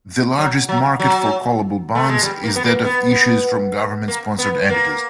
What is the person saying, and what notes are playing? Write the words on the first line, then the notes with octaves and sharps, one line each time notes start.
The largest market for callable bonds is that of issues from government sponsored entities.
F#3
F#3
F#3
A3
G#3
G3
A#3
B3
A#3
B3
B3
A#3
B3
A#3